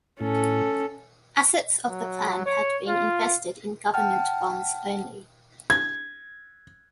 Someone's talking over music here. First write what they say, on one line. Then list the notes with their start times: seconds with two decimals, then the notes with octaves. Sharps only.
Assets of the plan had been invested in government bonds only.
0.21 A2 C#4 A4
1.89 F#3
2.45 C#5
2.88 F4
3.94 F#5 G5 A5 F6
5.70 G#6